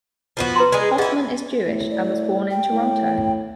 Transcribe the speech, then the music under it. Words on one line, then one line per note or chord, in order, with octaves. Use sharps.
Hoffman is Jewish, and was born in Toronto.
F3 B3 F#4
B4 A#5 C6
G#3 G#4 D5 B5
C#4 E4 G#4 D#5 F#5
A2
D5
G5
A2